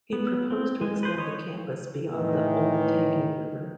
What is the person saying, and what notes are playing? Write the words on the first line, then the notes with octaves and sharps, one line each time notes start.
He proposed to extend the campus beyond the Olentangy River.
B3
C4
G#3
B4 C5
C#5 D#5
A2 D#3 E3